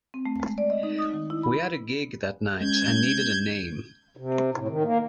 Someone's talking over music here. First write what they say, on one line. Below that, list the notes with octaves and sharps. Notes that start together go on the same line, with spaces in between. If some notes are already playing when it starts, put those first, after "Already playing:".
We had a gig that night and needed a name.
C4
A3
G#3
D5
D#5
D#4
D#6
D#3
E4
B5
G#3 C#4 G6 G#6
C3
A2
D#3
A#3